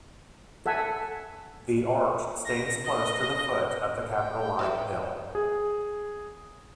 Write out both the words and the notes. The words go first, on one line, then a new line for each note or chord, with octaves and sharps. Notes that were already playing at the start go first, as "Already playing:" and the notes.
The Arch stands close to the foot of the Capitoline Hill.
A4 E5 F#5 G#5
A#6
D#5
G5
E3 D5 E5
G#4